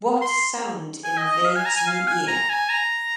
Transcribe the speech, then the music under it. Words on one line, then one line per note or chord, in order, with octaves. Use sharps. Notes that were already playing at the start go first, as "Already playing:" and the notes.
What sound invades me ear?
C6
G#5
D#5
D#5
F5
G#5
A#5
G#5
F5
G#5
A#5
G#5
A#5